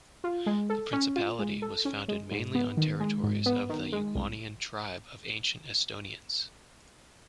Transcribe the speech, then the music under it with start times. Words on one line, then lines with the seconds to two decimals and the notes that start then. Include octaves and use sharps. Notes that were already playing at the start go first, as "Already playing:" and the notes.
The principality was founded mainly on territories of the Ugaunian tribe of ancient Estonians.
0.24 F4
0.46 G#3
0.70 A4
0.93 C#4
1.16 F4
1.39 G#3
1.62 A4
1.85 C#4
2.08 G#3
2.31 G#2
2.55 B3
2.77 D#3
3.00 G#3
3.23 G#2
3.46 B3
3.69 D#3
3.92 G#3
4.15 C2